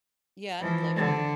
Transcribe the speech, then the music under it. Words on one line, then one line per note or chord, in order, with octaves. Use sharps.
Yeah, I don't blame him.
E3 F3
D3